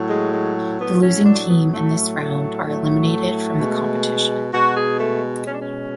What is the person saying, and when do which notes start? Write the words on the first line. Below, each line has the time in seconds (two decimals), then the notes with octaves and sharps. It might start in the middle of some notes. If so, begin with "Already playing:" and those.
The losing team in this round are eliminated from the competition.
Already playing: A2 F#3
0.09 G#3
0.33 G#3
0.79 A2 F#3 B3
1.02 C#4
1.26 D4
1.49 B3
1.72 A2 F#3 A3
2.19 A3
2.66 A2 F#3 A3
3.59 B2 G#3
4.53 B2 G#3 F#4
4.76 G#4
5.00 A3
5.46 B2 G#3 C#4
5.54 D4
5.61 C#4